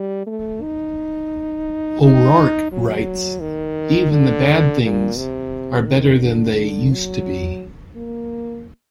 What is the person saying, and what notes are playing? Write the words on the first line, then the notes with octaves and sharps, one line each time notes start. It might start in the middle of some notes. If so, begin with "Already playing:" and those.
O'Rourke writes, Even the bad things are better than they used to be.
Already playing: G3
A3
D#4
D#4
F#3
D#3
D3
A#2
C3
D#3
D3
F#3
A#3